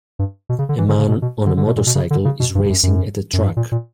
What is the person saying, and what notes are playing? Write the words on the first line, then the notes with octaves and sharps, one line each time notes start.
A man on a motorcycle is racing at a track.
G2
B2
C#3
D3
E3
D3
C#3
B2
B2
D3
D3
B2
A#2
B2
C#3
D3
C#3
B2
G2
F#2
F#2
F#2
G2
A#2
A#2